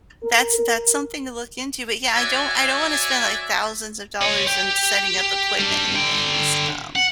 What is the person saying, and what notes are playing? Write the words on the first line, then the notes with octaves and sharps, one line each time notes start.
That's that's something to look into, but yeah, I don't I don't wanna spend, like, thousands of dollars in setting up equipment and things. Um.
A#4
A#4
F#4 C#5 D5 E5 G#5
C#5 D#5
G4
G4
G3 D4
D3 G5
F#5